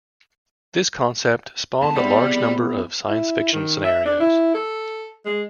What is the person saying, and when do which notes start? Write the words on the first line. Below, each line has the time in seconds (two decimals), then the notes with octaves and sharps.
This concept spawned a large number of science fiction scenarios.
1.82 E2 G#3 B3 A5
1.96 G3 B3 C4 E4
3.09 E4
3.53 D#3
3.85 E5
4.06 D4
4.20 E4
4.55 A4
5.26 G#3